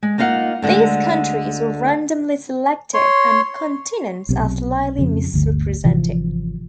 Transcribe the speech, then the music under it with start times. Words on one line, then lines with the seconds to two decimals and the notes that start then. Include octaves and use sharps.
These countries were randomly selected, and continents are slightly misrepresented.
0.03 G#3
0.18 A#3 D#4 F4 F5 F#5
0.62 D2 D3 G#3
2.94 C#5 C6
4.29 B1 C3
4.99 F2 C#3
5.34 G1 D2
5.84 G#1 C3 E3 F3